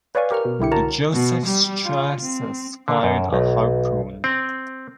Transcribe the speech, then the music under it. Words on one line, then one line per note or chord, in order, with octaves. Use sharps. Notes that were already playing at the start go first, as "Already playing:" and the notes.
The "Joseph Strauss" fired a Harpoon.
B4 C#5 D5 F5 G#5 C#6
G4 A#4 C#6 F6
B2
C2 D3 E4 G4 C#7
F#4 A#4 C#5 A5 A#5
B2
G3
F4
C4
D3
F#2
B1
C4